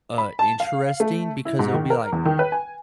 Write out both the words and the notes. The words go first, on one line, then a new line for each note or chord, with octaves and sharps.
uh, interesting because it'll be, like,
B5
A5
F5
A3
E4
G#2
D#3
A#4
E2
D#3
B4
G#5